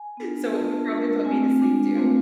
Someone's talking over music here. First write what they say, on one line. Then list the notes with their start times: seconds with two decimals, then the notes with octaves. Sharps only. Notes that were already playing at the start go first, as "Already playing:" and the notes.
So, it would probably put me to sleep too.
Already playing: G#5
0.17 B3 D4 F4
0.53 B3 D4 F4 A5
0.88 G#3 D4 F4
1.24 A3 C4 F4 G#5
1.60 G#3 D4 F4
1.95 A3 C4 F4 F5